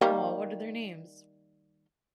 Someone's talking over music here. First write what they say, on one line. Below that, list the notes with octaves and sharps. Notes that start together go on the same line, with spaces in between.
Aw, what are their names?
D#3 G3 A#3